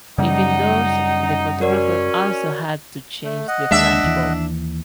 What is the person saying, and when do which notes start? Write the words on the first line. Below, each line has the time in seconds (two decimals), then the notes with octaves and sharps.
If indoors, the photographer also had to change the flashbulb.
0.18 F#2 C#3 G3 D#4 F#5
1.61 C#4 F#4 A#4 D5
3.24 A3
3.48 D#5 F#5
3.71 D#2 G#3 D4 E5
4.04 D#2 E3